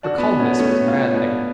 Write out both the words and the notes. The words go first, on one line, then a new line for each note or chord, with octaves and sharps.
Her calmness was maddening.
D4 F#4
B3
C#4
B3
A3 C#4
C#4 F4
B3 D4